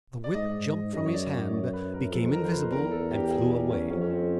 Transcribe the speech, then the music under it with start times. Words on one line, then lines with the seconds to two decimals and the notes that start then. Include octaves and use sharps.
The whip jumped from his hand, became invisible, and flew away.
0.24 D5
0.34 G#2 D#5
0.93 F#2 D#5
1.06 C#5
1.13 D5
1.33 C#5
1.53 C#5
1.73 B4
1.93 A#4
2.12 F2 A4
2.32 A#4
2.45 C5
2.51 B4
2.72 E2 A#4
2.91 A4
3.11 G4
3.24 G4
3.31 G#4
3.51 G4
3.70 C#4
3.90 F2 C#4
4.01 C#4
4.10 C4